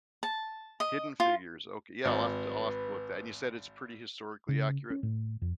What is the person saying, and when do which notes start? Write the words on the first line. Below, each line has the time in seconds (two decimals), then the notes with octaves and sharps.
Hidden Figures, oka yeah, I'll have t I'll have to look that and you said it's, pretty, historically accurate?
0.23 A5
0.80 D#5
1.20 F4
2.05 G#1 B4
4.49 C#3
4.90 C#4
5.03 A2
5.42 F2